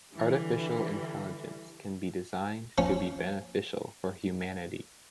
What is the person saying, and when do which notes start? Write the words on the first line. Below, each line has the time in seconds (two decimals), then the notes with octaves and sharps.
Artificial Intelligence can be designed to be beneficial for humanity.
0.13 D3 E3 G3
2.78 F3 C#4